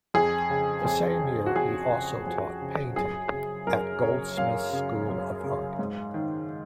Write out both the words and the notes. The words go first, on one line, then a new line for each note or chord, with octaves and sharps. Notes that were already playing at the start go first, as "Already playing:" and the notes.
The same year he also taught painting at Goldsmiths' School of Art.
F2 G#4
C#3
F2
C#3
F#4
F2 G#4
C#3
F2
C#3
F#2 G#4
C#3
F#2 A#4
C#3 C#5
F#2 F5
C#3
F#2
C#3
G#2
D#3